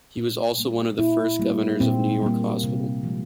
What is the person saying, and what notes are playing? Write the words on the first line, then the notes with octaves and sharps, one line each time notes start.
He was also one of the first governors of New York Hospital.
A#2
G3 A#3
A#2 E4
G3 A#3
A#2 C4
G3 A#3
C3
F3 G#3